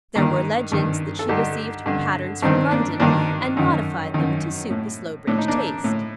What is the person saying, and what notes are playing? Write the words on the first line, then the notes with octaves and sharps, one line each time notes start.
There were legends that she received her patterns from London, and modified them to suit the Slowbridge taste.
G2 D#3 A#3
G2 D#3
A4
G2 D3 D#4 G4
G2 D3
G2 D#3 C4 D#4
A#3 D4
G2 D#3 A#3 D4
F#2 D#3
F#2 D#3
A2
A2 D4
D#4
A#3 D4
A2